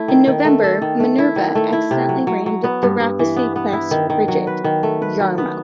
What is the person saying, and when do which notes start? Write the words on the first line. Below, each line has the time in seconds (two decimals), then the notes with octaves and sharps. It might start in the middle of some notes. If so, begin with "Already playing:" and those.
In November, "Minerva" accidentally rammed the "Rothesay"-class frigate "Yarmouth".
Already playing: A3 E4
0.08 D#3
0.27 D#3
0.45 A3
0.64 A4
0.82 D#3
1.00 A3
1.18 E4
1.36 D#3
1.55 A3
1.73 E4
1.91 C3
2.09 F#3
2.27 F#3
2.46 F#3
2.64 B3
2.83 G2
3.00 G2
3.19 E3
3.36 B3
3.56 B3
3.73 E4
3.91 D#3
4.10 D#3
4.28 F#3
4.47 B4
4.64 D#3
4.83 A3
5.02 B4
5.20 F#3
5.38 B3